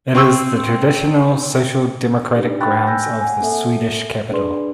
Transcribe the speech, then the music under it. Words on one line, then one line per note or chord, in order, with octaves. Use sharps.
It is the traditional Social Democratic grounds of the Swedish capital.
C4 C#6 E6
D4 D#4 G4 B4
G5 B5 F#6 A6
G#5 E6 F#6 G6 A#6
F#5 G#5
A#3 C4 A4 E5
D4 G#4 B4 D5 C6